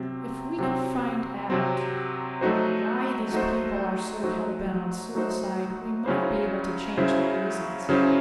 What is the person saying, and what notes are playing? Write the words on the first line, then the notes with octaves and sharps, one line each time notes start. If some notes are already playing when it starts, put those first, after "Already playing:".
If we can find out why these people are so hell-bent on suicide we might be able to change the reasons.
Already playing: C3 F#3 C4
C3 F#3 C4
C3 F#3 C4
F#3 A3 D#4 F#4 C5
F#3 A3 D#4 F#4 C5
F#3 A3 D#4 F#4 C5
F#3 A3 D#4 F#4 C5
C#3 F#3 C#4 E4 C5
C#3 F#3 C#4 E4 C5
C#3 F#3 C#4 E4 C5